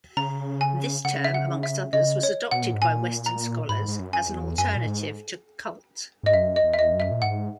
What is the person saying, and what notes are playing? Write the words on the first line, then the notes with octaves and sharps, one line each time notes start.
This term, amongst others, was adopted by Western scholars as an alternative to "cult".
C#3 A#5
G#5
C#3 F#5
E5
F#5
E5
C#3 D#5
C#5
B2 F#5
A#2
G#2
A#2 G#5
A#5
G#2 B5
G#2
F#2
G#5
E2
F#2 G#5
A#2
G#2
G#2 D#5
F#2 E5
D#5
E2
E5
D#5
F#2
E5
A#2
G#2 F#5